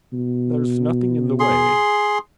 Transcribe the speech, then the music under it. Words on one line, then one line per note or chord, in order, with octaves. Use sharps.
There's nothing in the way.
B2
G#4 C6